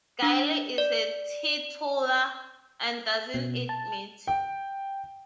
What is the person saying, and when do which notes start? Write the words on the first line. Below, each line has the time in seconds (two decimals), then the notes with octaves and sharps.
Gayle is a teetotaller and doesn't eat meat.
0.22 D4
0.78 D5
3.34 B2
3.69 A5
4.28 G5